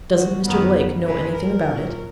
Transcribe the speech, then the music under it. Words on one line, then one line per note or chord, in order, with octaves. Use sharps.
"Doesn't Mr. Blake know anything about it?"
F#4
F#2 D#3 F#3 B3
F#2 E3 G#3 B4
A#4
A#2 F#3